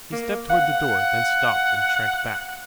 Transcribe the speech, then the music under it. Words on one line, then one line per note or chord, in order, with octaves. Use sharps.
He stepped toward the door; then stopped and shrank back.
A#3
F5 F#5